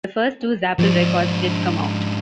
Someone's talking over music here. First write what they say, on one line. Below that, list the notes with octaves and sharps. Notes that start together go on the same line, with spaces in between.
The first two Zapple records did come out.
G#2 F3 D4